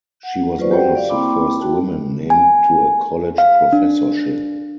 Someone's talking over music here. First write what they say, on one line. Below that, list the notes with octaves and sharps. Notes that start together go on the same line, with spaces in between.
She was one of the first women named to a college professorship.
F#5
F#3 F4 B4 C5 D5 C#6
F#4 G4 A4 C5 F#5 G5
D5 F5
A#3 C4 E4 G5 B5 D6
F#4 G5 A5
G#5
F5
D4